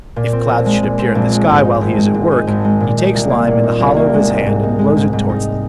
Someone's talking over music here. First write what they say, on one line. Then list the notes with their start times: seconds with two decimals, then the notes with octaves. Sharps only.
If clouds should appear in the sky while he is at work, he takes lime in the hollow of his hand and blows it towards them.
0.16 A#2
0.33 C4
0.49 A#1
0.66 G#3
0.82 A#2
0.98 C4
1.15 A#1
1.31 G#3
1.49 G#2
1.65 D#4
1.81 G#1
1.98 G#3
2.14 G#2
2.31 D#4
2.47 G#1
2.64 G#3
2.80 A#2
2.98 D#4
3.14 C2
3.30 A#3
3.47 A#2
3.63 D#4
3.80 C2
3.96 A#3
4.13 G#3
4.30 G#2
4.46 G#2
4.63 D#4
4.79 G#3
4.97 G#2
5.13 G#2
5.29 D#4